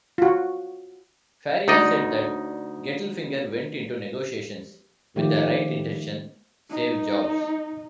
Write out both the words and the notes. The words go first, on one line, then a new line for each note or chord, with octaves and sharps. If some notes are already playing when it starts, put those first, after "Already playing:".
Faria said that Gettelfinger went into negotiations with the right intention...Save jobs.
F4 F#4
D2 D#4 D5 D#5
D#3 F3 A3 G4
D#4